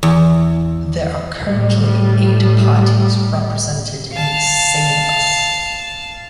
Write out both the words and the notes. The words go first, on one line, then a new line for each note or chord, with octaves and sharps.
There are currently eight parties represented in the Seimas.
E2
A2 G3
F5 A5